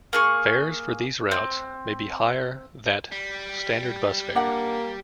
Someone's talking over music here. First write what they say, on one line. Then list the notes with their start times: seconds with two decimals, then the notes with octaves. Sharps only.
Fares for these routes may be higher that standard bus fare.
0.13 A#3 G#4 C#6
1.31 C4
3.12 G3
4.35 A#3 D4 F#5